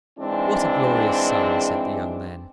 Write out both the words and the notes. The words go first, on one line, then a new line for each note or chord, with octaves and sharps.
"What a glorious sun," said the young man.
G#2 E3 G#3 C4 D4